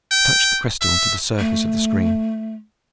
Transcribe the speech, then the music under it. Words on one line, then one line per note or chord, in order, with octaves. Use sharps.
She touched the crystal to the surface of the screen.
G5
E5
A3